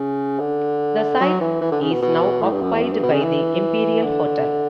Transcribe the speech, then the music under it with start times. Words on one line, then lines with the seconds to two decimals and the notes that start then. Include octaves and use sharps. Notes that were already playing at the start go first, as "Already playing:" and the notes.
The site is now occupied by the Imperial Hotel.
Already playing: C#3
0.39 D3
1.20 F#3
1.41 E3
1.61 E3
1.72 D3
1.81 C#3
1.91 B2
2.02 B2
2.42 A2
2.52 G2
2.62 F#2
2.73 E2
2.82 F#2
2.93 G2
3.03 B2
3.12 C#3
3.22 E3
4.03 D3